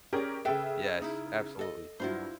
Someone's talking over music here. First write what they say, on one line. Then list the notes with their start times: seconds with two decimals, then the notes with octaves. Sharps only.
yes, absolutely.
0.13 C#4 G4 G#4 A#4 D5
0.45 C#3 A4 B4 E5 G5
1.02 D#4 E4
1.59 A4 D#5
2.00 G2 F#3 E4 F4 C5